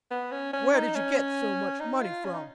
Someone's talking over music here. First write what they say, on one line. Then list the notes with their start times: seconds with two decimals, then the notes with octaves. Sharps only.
'Where did you get so much money from?'
0.11 B3
0.32 C#4
0.53 C#4
0.73 D#4
0.95 C#4
1.80 D#4
2.01 F4
2.25 C#4
2.34 D#4